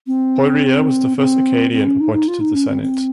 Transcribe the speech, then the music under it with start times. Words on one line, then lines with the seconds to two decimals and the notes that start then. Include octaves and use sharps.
Poirier was the first Acadian appointed to the Senate.
0.07 C4
1.17 C4
1.72 C4
1.85 C#4
2.00 D#4
2.13 D#4
2.28 F4
2.40 D#4
2.54 C#4
2.68 C4
2.82 C4